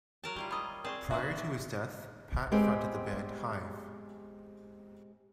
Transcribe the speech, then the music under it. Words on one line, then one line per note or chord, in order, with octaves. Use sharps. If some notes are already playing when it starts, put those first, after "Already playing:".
Prior to his death, Pat fronted the band Hive.
F#3 A#4 A5
G3 E4 F4 C#6
C#5 D#5 B5 D#6 E6
C4 G#4 A#4 D5 A5 C#6
B3 D4 F#4 E5
G#3 B3 C4 G4 G#4